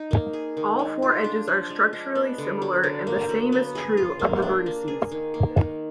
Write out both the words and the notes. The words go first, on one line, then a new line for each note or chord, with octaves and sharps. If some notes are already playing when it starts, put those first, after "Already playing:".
All four edges are structurally similar and the same is true of the vertices.
Already playing: D#4
A#3
G#4
D#3
G#3
F4
D4
F3
G#3
D4
B3
D3
F#3
D3
A#3
F#3
B3
G#4
F4
A#3
D4
A#3
G#4
D#3
A#3
D#3